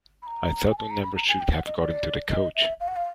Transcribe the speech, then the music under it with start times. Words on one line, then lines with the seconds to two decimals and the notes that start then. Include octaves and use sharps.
I thought we never should have got into the coach.
0.22 B5
0.26 A#5
0.70 G#5
0.78 A5
0.90 A#5
1.03 B5
1.15 A#5
1.29 G#5
1.40 G5
1.53 F#5
1.66 D#5
1.80 D5
2.30 D#5
2.56 E5
2.80 F5
2.88 F#5
2.96 F5